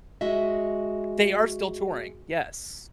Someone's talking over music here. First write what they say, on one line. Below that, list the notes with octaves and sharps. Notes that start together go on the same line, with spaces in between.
They are still touring, yes.
G#3 F#4 D#5 E5